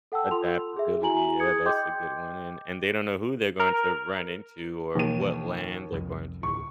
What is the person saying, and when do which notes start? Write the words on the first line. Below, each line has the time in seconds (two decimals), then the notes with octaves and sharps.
Adaptability, yeah, that's a good one. And and they don't know who they're going to run into or what land they're going to,
0.12 A4 F#5 G5 A5 E6
0.31 F4 A4 C6 F7
0.77 G#4 E5
1.02 E4 F#4 G#5 A#5 F#7
1.39 G#4 D#6 G#6 C#7
1.65 D#5 G5 C6 D6 G6
3.60 A#4
4.95 D#2 B2 E3 F3 D#7
5.92 F1 C2 F2
6.43 D1 C#6